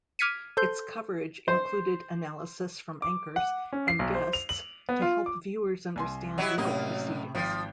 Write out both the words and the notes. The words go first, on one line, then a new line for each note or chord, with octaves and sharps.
Its coverage included analysis from anchors and guests to help viewers understand legal proceedings.
D6 F6 G#6 B6 C#7 D#7
A4 C5 C6 G6
C5
D6
F#5
C#4
C7
B1
C5
F7
F#7
B3
F4
D6
C2 G#5 C6
F#3 E4 G4 D#5 F#5
F#2 A2 C3 A#3 D#5
G#1 F3 G5 C7